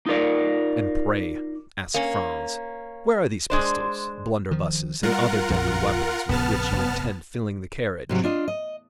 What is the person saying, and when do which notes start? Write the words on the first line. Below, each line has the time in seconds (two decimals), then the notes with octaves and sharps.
"And pray," asked Franz, "where are these pistols, blunderbusses, and other deadly weapons with which you intend filling the carriage?"
0.06 D#4 F4 A#4 D5
1.94 A#3 C#4
3.50 G#3 D4 C5
4.51 D#3 F3
5.03 G3 F4 A#4 F#5
5.50 A#1 F2
6.29 A#1 F2 C#3 B3 A5 F6
6.72 F1
8.09 G#2 C3 F#3
8.24 D4 F4 D#5
8.48 D#5